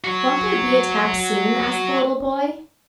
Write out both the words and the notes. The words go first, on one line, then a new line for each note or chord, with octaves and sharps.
"Won't there be a tap soon?" asked the little boy.
F#4 C#5